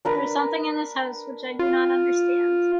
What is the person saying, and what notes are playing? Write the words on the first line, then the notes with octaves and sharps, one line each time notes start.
There is something in this house which I do not understand.
D4 A#4 B4
F4